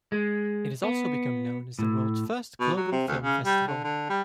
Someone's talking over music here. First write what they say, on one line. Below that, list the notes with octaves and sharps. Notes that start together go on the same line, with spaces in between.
It has also become known as the world's first global film festival.
G#3
B3
A2
B2
F#3
C3
D2
C#3
G3
D3
D3
G3